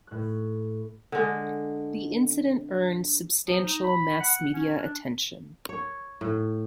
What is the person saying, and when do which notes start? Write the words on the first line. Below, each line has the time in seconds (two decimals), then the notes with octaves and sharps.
The incident earned substantial mass media attention.
0.07 A2 F#6
1.12 D3 G#3
3.46 F3
3.63 D#4
3.84 B5
4.20 F#5
4.54 C#4
4.79 D4
5.69 C#5
6.21 A2